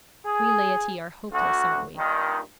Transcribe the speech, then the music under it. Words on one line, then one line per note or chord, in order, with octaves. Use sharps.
'We laity are hopeless, aren't we?
G#4
D2 F#4
G2 A#2 D#3